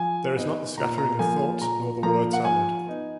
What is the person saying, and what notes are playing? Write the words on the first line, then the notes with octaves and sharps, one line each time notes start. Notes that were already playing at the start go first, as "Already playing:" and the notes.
There is not the scattering of thought, nor the word salad.
Already playing: F3 G#5
B3 D#4
A#2 A#5
A#5
F3 A#3 G#5
A#2 A#5
F3 A#3 A#5
F#5
F3 G#5
B3 D#4